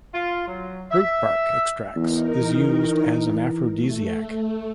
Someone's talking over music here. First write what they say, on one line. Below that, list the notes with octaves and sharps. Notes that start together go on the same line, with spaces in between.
Root bark extracts is used as an aphrodisiac.
F4
F#3
E5
E2 D#4 A#4
E3
A3